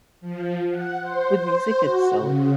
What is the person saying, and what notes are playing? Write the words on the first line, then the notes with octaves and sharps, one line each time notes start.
with music itself,
F3
F#5
C5
C5
F#4
C#3